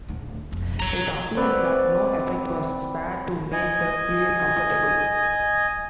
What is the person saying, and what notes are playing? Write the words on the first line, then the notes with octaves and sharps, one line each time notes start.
It appears that no effort was spared to make the crew comfortable.
D1 D2
E1 F2
A#1 C#5 A#5
C4 F#4 B4 D5
D#5 G#5